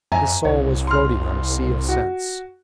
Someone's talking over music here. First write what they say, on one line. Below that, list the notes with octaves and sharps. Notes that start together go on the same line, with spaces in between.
His soul was floating on a sea of sense.
F2 E5 G#5 A#5
C2 C#5
C6 F6
F#4